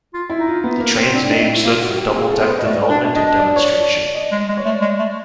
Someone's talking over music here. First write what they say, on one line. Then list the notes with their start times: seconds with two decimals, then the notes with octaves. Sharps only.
The train's name stood for Double Deck Development and Demonstration.
0.14 F4
0.30 E4
0.38 D#4
0.47 F4
0.64 B3
0.80 A#3
0.97 C4
1.14 C4 D4
1.31 D#4
1.39 A3
1.47 E4
1.64 A#3 F4
1.81 F#4
1.97 G4
2.14 C4 G#4
2.31 A4
2.40 B3 C5
2.48 B4
2.59 D#5
2.64 A3 D5
2.89 D4
3.15 D4 D#5
3.39 D5
3.56 C#5
3.64 D5
4.06 D5
4.15 D#5
4.32 G#3
4.48 G#3
4.57 C#5
4.65 A3 D5
4.81 G#3
4.98 A3